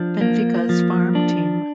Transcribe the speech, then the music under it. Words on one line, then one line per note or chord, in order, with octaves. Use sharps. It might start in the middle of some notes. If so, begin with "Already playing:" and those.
Benfica's farm team.
Already playing: F3 D4
A#3
F3
D4